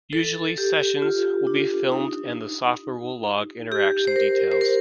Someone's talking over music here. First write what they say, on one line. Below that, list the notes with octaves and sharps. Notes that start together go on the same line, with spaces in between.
Usually, sessions will be filmed and the software will log interaction details.
A4
G4
F4
D4
D#4
G4
C5
A#4
C5
A#4